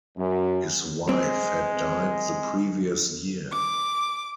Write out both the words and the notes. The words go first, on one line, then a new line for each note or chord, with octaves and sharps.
His wife had died the previous year.
F#2
G#3 C4
D6